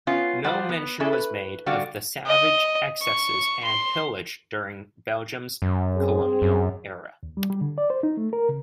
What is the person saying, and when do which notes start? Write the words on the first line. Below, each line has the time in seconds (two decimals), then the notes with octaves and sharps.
No mention was made of the savage excesses and pillage during Belgium's colonial era.
0.07 B3 C#4 F4
0.44 F3 G3 F4 C5 F#5
0.69 B3
1.00 A3 C#4 D4 E4 G#4 A4
1.13 B4
1.66 D3 G3 F#4 D5 F5
2.26 D#5
3.02 C#6
3.64 C6
5.62 F#2
5.97 C4 G#4
6.42 F#2
7.23 D#2
7.37 G3
7.50 G3
7.61 D3
7.78 D5
7.90 C5
8.03 D#4
8.17 A3
8.33 A#4
8.49 C#3